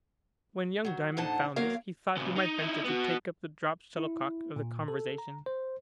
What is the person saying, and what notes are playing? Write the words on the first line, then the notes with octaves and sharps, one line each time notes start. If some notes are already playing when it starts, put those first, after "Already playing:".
When young Diamond found this, he thought he might venture to take up the dropt shuttlecock of the conversation.
D#3 F#3
F2 A#2 D4 D#4 F#5 A5
E2 F#3 A#3 A#4 C#5 F5
A#2 C#3
D#4
D#4 E4
B3 F#4
E4
A#2
A4
A#5
C5